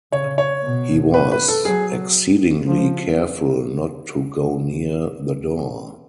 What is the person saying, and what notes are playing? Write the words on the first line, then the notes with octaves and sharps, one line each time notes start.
He was exceedingly careful not to go near the door.
C#3 C#5
C#5
B2
B4
B4
A4
F#3 G#4
F3